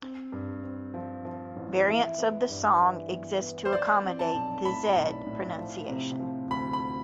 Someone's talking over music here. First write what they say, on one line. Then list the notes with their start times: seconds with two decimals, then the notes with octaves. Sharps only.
Variants of the song exist to accommodate the "zed" pronunciation.
0.02 C4
0.32 G2
0.63 C4
0.94 F3
1.25 F3
1.56 A1
1.87 E4
2.18 B3
2.49 G2
2.79 E3
3.11 B3
3.41 B3
3.65 C5
3.73 F3 D5
4.04 C4
4.19 A5
4.34 B1
4.65 A2 B5
4.96 B1
5.26 A2
5.58 F3
5.89 C3
6.20 F3
6.51 D2 B5
6.73 B5